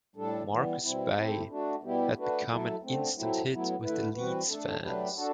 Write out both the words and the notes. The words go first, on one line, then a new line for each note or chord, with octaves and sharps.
Marcus Bai had become an instant hit with the Leeds fans.
A2 G3 D4 A4
E3 G3 B3
B2 G3 C4 E4
A3 C4 E4 G4
A3 D4 F#4
B2 G3 B3 E4 G4
A3 D4 F#4 B4
F#3 A3 E4 A4
D3 A3 C4
F#3 A3 C4 E4
A2 F#3 B3 E4
D3 A3 E4 B4
E3 G3 C4 F#4 B4
A3 D4 A4
F#3 A3 D4 G4 B4
D4 F#4 A4